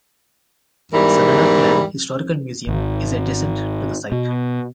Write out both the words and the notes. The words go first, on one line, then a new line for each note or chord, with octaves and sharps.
Sanada clan Historical Museum is adjacent to the site.
E2 G#2 E3 G3 A#4
G#1
B2